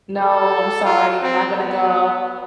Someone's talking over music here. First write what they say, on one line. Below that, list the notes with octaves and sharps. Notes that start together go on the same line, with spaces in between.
No, I'm sorry you're not gonna go."
A4
F4
C4
B3